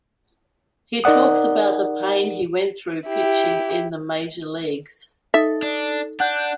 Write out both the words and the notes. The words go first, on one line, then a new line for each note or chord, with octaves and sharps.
He talks about the pain he went through pitching in the Major Leagues.
D#4 A#4 D5 F#5 D#6
E4 G4
D#4 A4 E5
D4
D4 F#5 F#6 G6